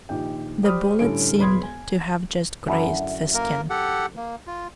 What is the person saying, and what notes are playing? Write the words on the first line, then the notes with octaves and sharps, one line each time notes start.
The bullet seemed to have just grazed the skin.
A#1 D#3 G4 G5
G4 C5 D5 B5 D#6 F6
A2 D3 G3 C#4 A4 D7
E1 B4 B5 C6 D#6 G#6
G#5
F#2 D3 E4
A#3 A#4
G4 A4 F#5
A#3
F4